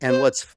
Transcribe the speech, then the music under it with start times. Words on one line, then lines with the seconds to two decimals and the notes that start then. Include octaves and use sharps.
And what's f
0.09 C5